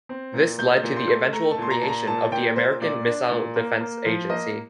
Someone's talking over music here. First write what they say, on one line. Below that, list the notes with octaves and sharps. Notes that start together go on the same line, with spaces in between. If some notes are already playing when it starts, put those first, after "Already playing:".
This led to the eventual creation of the American Missile Defense Agency.
C4
A#2
A#2 G6
A#2
C6
A3
A3 A#5
A5
A#2 C6
A#5
A#2 A5
A#5
A#2 A5
A#2 G5
A#2 C5
A#2 D5
D4
A#2
A#3
A#3
F3
A#3 D#5